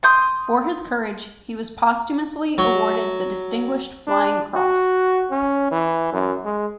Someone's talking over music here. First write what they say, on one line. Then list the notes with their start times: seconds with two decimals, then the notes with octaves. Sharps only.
For his courage, he was posthumously awarded the Distinguished Flying Cross.
0.03 C6 D#6 G6
2.58 F#3
4.07 D4
4.55 F#4
5.31 C#4
5.71 E3
6.13 F#2
6.45 G#3